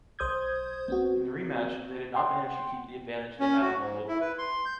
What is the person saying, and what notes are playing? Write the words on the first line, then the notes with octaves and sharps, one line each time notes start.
In the rematch, they did not manage to keep the advantage they had on the global.
B1 C5 D#6 G6 G#6
B3 C4 F#4
F#5 G5 C6
C#4
F#4
G#2
E4
B4
C6
G6